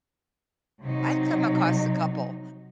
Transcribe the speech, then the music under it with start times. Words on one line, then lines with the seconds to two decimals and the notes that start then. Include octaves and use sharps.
I've come across a couple,
0.81 C3 F#3 D#4